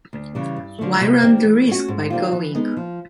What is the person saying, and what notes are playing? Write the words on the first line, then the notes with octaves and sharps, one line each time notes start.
Why run the risk by going?
D2
C#3 E3 G3
G2
D3 F3 A3
C3
D#3 G3 C4
E3
A3 C#4 F#4
G#2
D#3 G3 C4 F4
E3
G#3 B3 D#4
F3